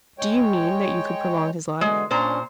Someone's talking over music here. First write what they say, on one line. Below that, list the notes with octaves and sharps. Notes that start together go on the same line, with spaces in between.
"Do you mean that you could prolong his life?"
G#3 C#5 G5
D3 E3 F#3 G#3
A#2 C#4 D4 C5 A#5